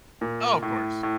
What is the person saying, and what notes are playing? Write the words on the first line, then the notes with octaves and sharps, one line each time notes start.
Oh, of course.
A#2
A2
A2